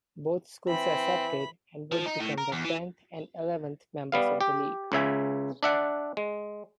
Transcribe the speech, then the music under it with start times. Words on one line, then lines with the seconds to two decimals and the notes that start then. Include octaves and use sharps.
Both schools accepted and would become the tenth and eleventh members of the league.
0.68 E3 C4 B5
1.92 F3
2.06 D#4
2.20 A2
2.38 A#4
2.52 E2
2.64 E3
4.12 G3 B3 F5
4.41 G4
4.92 C#2 C#3 E5 G#5
5.63 D4 E5 F#5
6.17 G#3